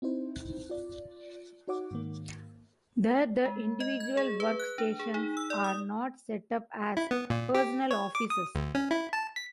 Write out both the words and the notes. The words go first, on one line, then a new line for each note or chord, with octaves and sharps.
There, the individual work stations are not set up as personal offices.
C4 D#4 E4 C5
F4 D5
D#4 F#4 C#5 F#5 D6
G#2 D#3 A#3
G#3
D#5
G#6
G#4
B4
F#6
D4
G#4
D#4
E6
D5
D#6
E4
B3
A#2
G4
C#5
D6
D#6
D2
C#4
E4
A5
B6